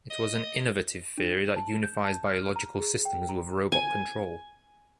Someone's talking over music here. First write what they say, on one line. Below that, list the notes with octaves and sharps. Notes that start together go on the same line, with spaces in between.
It was an innovative theory that unifies biological systems with robot control.
D#5
D4
F#7
A5
E7
G6
A5
F6
A#5
G#4
G5
A#5
G#5